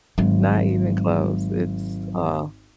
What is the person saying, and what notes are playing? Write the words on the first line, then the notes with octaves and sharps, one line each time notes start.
not even close. It's, uh
G#1 F#3 G#3